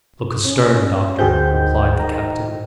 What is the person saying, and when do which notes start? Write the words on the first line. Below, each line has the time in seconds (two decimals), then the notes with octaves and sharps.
"Look astern, doctor," replied the captain.
0.45 C#4
1.19 D2 F#4 G#4 C5 G5 G6
1.50 D#3
2.00 D#3 A#5